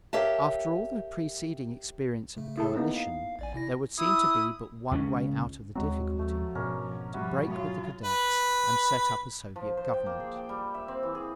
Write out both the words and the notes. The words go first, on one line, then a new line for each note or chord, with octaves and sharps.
After all the preceding experience of the coalition, there would seem to be but one way out of the difficulty--to break with the Cadets and set up a Soviet government.
G4 A#4 C#5 E5 F5 A5
C#3 A3
E4 G#4 A4
A#3 B3 D#4
F5
A1 D5 G#5
C3 E4 A#6
E4 D#6
C#2 C#3 F3 C#4
D#2 F#3 G#3 C4
F3 A3
G#2 B2 C#4 D4 A#4
F3 G3 F#4 B4 E5
F#3 F4 B5 C#6 D#6
B4
F3
C5
G5
A#3
G#4
G5
G3
E5
C4
E3
G#4